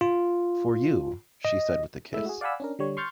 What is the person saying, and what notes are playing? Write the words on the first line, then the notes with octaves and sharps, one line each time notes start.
"For you," she said with a kiss.
F4
D#5
G#3 A3 E4 E5 E6
F#4 G#4
D5 F5 F#5 G#5 B5 E6
C#4 D4 A#4
D3 G3 C#5
C6 C#6 F6 G6 A6